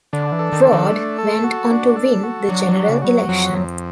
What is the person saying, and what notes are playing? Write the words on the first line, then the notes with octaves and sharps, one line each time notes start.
Ward went on to win the general election.
D3 D4
E3
A4
D#3
D4
D#3
A3
A4
F#4
D4
A4
F#4
F#3 D4
F#3
F#4
C#3
G3 F#4
F#3
F2 F#3
F2